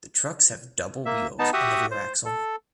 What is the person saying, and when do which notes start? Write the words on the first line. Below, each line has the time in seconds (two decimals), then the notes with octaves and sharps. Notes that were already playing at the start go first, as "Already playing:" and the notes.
The trucks have double wheels on the rear axle.
1.06 A#3 E5
1.39 B3 D#4 A5
1.53 F#4 G4 E5 F#5 D#6
1.91 C5
2.25 A4